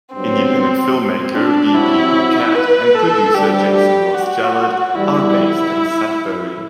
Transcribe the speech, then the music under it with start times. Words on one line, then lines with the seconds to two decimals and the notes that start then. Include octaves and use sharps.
Independent filmmaker B. P. Paquette and producer Jason Ross Jallet are based in Sudbury.
0.14 G2 D3 F#3 B3 C4
0.94 C4
1.34 D4
1.74 C3 F#3 C4 E4 F#4
2.55 B4
2.95 A4
3.35 D2 D3 G3 G4
3.74 G4
4.14 F#4
4.95 E2 B2 G3 B3 E4